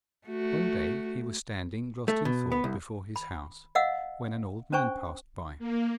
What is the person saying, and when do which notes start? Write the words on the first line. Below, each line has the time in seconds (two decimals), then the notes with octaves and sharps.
One day he was standing lost in thought before his house, when an old man passed by.
0.27 A3 F#4
2.08 A3
2.25 B2
2.52 B3
2.64 C2
3.16 B5
3.75 D#5 F5 F#5 E6
4.73 C#4 D4 C5 G#5 C#6
5.59 A#3